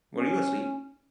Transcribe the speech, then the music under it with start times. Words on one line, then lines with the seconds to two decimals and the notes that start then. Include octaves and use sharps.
Were you asleep?
0.14 C#4